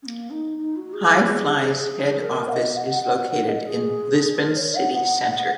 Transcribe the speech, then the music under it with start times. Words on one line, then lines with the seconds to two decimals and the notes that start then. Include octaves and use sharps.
Hi Fly's head office is located in Lisbon's city centre.
0.02 C#4
0.06 A#3
0.30 D#4
0.58 D#4
0.76 F#4
0.93 G#4
2.20 A#4
2.48 F#5
2.53 D#5
2.76 F#5
2.89 F#5
3.02 F#5
3.16 F#5
3.30 F#5
3.48 D#5
3.65 G#4
4.39 A#4
4.57 C#5
4.75 F#5
4.93 F#5